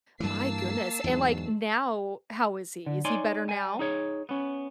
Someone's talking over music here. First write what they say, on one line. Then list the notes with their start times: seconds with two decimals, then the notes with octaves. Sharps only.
my goodness, and, like, now, how is he? Is he better now
0.20 G2 E3 A#3 A5 E6 C7
1.04 E2 G#2 F#3
2.86 D3
3.05 D#4 C#5 D5 G#5 C6
3.48 G3 G#5
3.79 D#4 G#4 C#5
4.29 B3 C#4